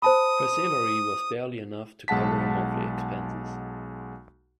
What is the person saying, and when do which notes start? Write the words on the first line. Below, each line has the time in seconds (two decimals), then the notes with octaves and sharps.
Her salary was barely enough to cover her monthly expenses.
0.02 C5 A5 B5 D#6
2.08 B1 G#3 F#5 A5 B6